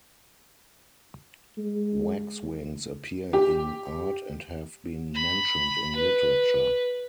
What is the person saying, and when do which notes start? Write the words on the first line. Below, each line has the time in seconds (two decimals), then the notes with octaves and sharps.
Waxwings appear in art and have been mentioned in literature.
1.58 G#3
3.33 G4
5.15 B5
5.96 B4